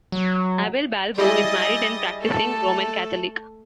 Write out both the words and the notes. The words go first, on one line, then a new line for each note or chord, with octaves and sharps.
Abel Balbo is married and a practising Roman Catholic.
F#3
G3 E4 G#4 D#5 A6
A3 A4